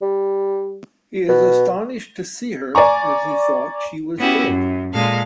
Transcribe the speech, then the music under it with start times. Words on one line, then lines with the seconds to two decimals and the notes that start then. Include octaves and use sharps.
He is astonished to see her, as he thought she was dead.
0.02 G3
1.29 B2
2.75 D5 G#5 A#5 C#6
4.18 B3 C#4 E4 F#4 G4
4.49 F#2
4.93 A#2 G#3 A4 F5